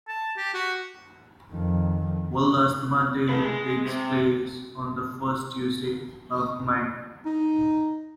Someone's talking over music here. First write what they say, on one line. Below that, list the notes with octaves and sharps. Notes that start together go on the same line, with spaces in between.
World Asthma Day takes place on the first Tuesday of May.
A5
G4
F#4
F2 D#3
A3 B4
G#3
C3
D#4